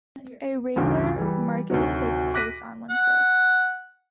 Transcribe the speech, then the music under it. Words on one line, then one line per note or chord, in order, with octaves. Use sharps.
A regular market takes place on Wednesdays.
A1 D2 G2 C#3
E3 G3
D2 C3 D#3 F#3
D6 F#6 A#6 B6 D#7
F#5